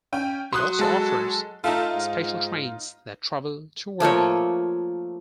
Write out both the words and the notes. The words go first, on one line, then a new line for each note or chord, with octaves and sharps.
It also offers special trains that travel to Wareham.
C#4 G5
F#3 C6 D#6 F#6
G#3 A4
A3 D#4 F4
G#2
F3 A3 A#3 C#5